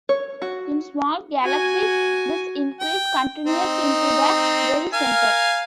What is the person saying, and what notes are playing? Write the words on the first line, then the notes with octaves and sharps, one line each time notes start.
In small galaxies, this increase continues into the very center.
C#5
F#4
F#4 G#5
G5
C4 D#4
A#4 F5 G#5